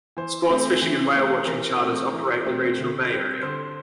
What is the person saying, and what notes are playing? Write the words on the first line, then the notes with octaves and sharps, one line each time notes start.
Sports fishing and whale watching charters operate the regional bay area.
E3 C5
A3 C4
E3
A3 C4
E3 A#4
A3 C4
E3 A#4
A3 C4
D3
G3 C4
D3 C5